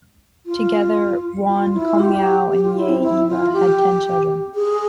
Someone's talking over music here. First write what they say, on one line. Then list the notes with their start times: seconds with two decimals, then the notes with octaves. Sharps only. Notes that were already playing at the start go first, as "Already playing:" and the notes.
Together Won Cumyow and Ye Eva had ten children.
0.46 F4
1.49 F4
1.74 E4
1.95 F4
2.00 G4
2.51 G4
2.64 F4
2.76 E4
2.89 C4
3.02 E4
3.28 F4
3.53 G4
4.55 G#4